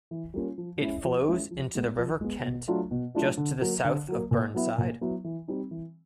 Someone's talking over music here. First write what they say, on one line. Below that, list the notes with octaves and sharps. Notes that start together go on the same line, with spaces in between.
It flows into the River Kent just to the south of Burneside.
E3
G3 A#3 C#4 F4
F3
G#3 C#4 E4
F3
G#3 C#4 E4
F3
G#3 B3
F3
G#3 B3
B2
F#3 A3 D4 F4
B2
F#3 A3 D4 F4
D3
F#3 A#3
D3
F#3 A#3
A#2
F#3 B3 E4
A#2
F#3 B3 E4
E3
G3 C4 D#4
E3